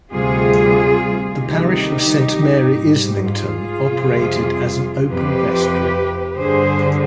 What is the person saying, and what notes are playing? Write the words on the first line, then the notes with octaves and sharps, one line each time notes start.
The parish of Saint Mary Islington operated as an open vestry.
D2 C3 G3 F4 G#4
D2 C3 D#3 G3 D#4 G4
G#2 G3
F4 G#4
F2 C3 G3
F2 C3 F3 G4 B4
G2 D3 G3 G#4 C5